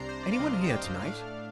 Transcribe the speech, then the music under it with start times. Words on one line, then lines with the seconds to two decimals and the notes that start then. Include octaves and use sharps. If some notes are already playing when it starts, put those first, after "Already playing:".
"Any one here to-night?"
Already playing: C2 C3 G3 D4 A#5 C6
0.09 C5
0.23 D5
0.32 F5
0.39 C2 C3 G3 D4 D#5
0.64 G5
0.70 F5
1.02 A2 A3 D4 F5